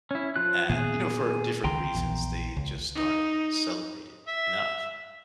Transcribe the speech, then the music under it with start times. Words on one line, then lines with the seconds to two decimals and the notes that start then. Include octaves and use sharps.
and, you know, for different reasons, they just aren't celebrated enough.
0.11 C#4 E4
0.36 F3 F4 F#6
0.69 A#2 D#3 B3 G#4
1.64 C#2 D#3 F3 G5 A#5 C6
1.94 A#1 E2
2.56 C#2
2.95 D#4
4.28 E5